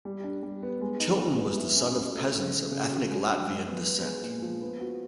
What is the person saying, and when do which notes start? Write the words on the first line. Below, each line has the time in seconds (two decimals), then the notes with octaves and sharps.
Tilton was the son of peasants of ethnic Latvian descent.
0.05 G3
0.24 D4
0.43 G3
0.63 B3
0.81 G#3
1.00 D#4
1.19 G#3
1.38 B3
1.57 E4
1.76 C#4
1.96 F#3
2.14 A3
2.33 C#3
2.52 A3
2.71 C#3
2.90 F#3
3.09 G#3
3.28 D4
3.46 G#3
3.67 B3
3.85 B3
4.04 G#3
4.24 A#2
4.42 F3
4.62 B3
4.80 F#4